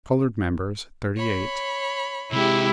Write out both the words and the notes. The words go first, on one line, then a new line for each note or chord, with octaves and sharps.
Colored members, thirty-eight.
C#5 B5
C3 G#3 E4 G4